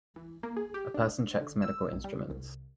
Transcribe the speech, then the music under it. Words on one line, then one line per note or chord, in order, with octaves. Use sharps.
A person checks medical instruments.
E3
A#3
G#4
G4
D4
D3
E6
B1
G3
C2